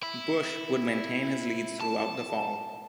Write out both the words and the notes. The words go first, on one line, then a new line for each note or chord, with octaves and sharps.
Bush would maintain his leads throughout the fall.
E4
A5